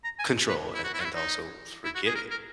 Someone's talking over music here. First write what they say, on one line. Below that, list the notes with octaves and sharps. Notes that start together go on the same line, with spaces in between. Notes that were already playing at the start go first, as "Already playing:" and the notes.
control an and also forgiving.
A#5
G#5
B4
E4
F#4
E4
F#4
E4
D#4
E4
F#4
G#4
A#4
A#4